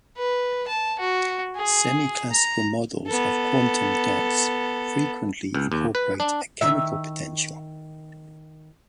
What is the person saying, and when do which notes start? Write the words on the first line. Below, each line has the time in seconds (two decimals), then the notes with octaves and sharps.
Semiclassical models of quantum dots frequently incorporate a chemical potential.
0.17 B4
0.68 A5
0.99 F#4
1.56 G#4
2.32 A#5
3.06 B3 A4
5.54 C#2
5.72 D#2
5.95 B4
6.20 D4
6.61 D#3 E5